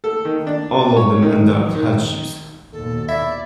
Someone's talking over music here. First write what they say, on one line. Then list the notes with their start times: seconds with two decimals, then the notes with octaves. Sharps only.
All of them endured hardships.
0.04 A4
0.25 D#3
0.47 D4
0.96 C#5
1.22 D#3
1.75 D#3
2.73 D#2 B2 A4
3.09 E4 D5 E5